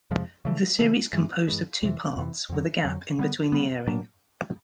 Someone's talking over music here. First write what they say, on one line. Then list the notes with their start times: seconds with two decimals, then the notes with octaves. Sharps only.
The series composed of two parts, with a gap in between the airing.
0.11 F2 C3 F3 G#3
0.45 C#3 E3 A3
0.79 C#3 E3 A3
1.13 G2 E3 G#3
1.48 G2 E3 G#3
1.82 F2 C3 E3
2.16 F2 C3 E3
2.49 F2 D3 F#3
2.84 F2 D3 F#3
3.19 D3 G3 B3
3.52 D3 G3 B3
3.87 A2 F#3 A#3 D4